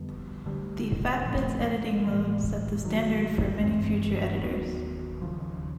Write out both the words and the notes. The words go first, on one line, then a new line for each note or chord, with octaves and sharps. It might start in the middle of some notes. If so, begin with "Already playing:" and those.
The FatBits editing mode set the standard for many future editors.
Already playing: F2 D3 G3 B3
D2 D3 G3
A#2 F3 A3 C4
A2 E3 G#3
G#2 D#3 F#3
G2 E3 G#3 C4
D#2 D#3 F#3 B3
D#2 C#3 F3